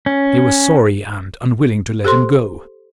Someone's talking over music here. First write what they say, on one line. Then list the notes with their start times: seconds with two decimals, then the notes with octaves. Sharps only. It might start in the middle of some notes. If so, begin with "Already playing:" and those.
They were sorry and unwilling to let him go.
0.06 C#4
2.05 G4 A4 C5 C6